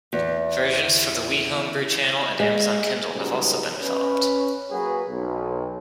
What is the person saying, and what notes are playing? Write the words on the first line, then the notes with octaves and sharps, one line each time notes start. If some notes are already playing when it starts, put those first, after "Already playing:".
Versions for the Wii Homebrew Channel and Amazon Kindle have also been developed.
E2
G#3
C#2 G#2 F#3 G3 B3 C#4
C#4 B4
F#3 A#3 F#4 G#4 B4
B1